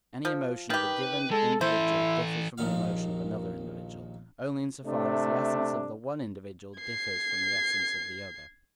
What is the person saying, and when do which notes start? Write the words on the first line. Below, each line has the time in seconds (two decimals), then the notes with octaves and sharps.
Any emotion of a given individual differs from the emotion of another individual, only in so far as the essence of the one individual differs from the essence of the other.
0.25 F3
0.70 D#3 G4 B4
1.31 G#3 A4
1.61 E3 E4 A4 C5
2.58 A#1 D#2 A#2 F5
4.85 C3 A3 D4
6.80 G#6 C7